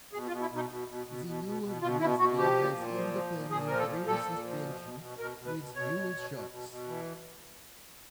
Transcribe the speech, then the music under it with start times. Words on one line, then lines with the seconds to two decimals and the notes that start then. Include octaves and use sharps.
The newer Grizzly has independent rear suspension with dual shocks.
0.13 B2 G#4
0.28 F4
0.32 B2
0.42 E4
0.50 B2
0.56 D#4
0.69 B2
0.88 B2
1.07 B2
1.26 B2
1.44 B2
1.63 B2
1.82 B2 F4
2.00 B2 E4
2.19 B2 F#4
2.38 F3 G4
2.57 A#2
2.75 A#2
2.94 F3
3.13 F3
3.32 A#2
3.50 A#2 G#4
3.67 F3 A#4
3.79 A4
3.88 F3
4.07 A#2 A4
4.25 A#2
4.44 F3
4.62 B2
4.81 B2
5.00 B2
5.18 B2 A#4
5.38 B2
5.47 B4
5.56 B2
5.75 B2 C#5
5.94 B2
6.13 B2
6.31 B2
6.50 B2
6.69 B2
6.88 E3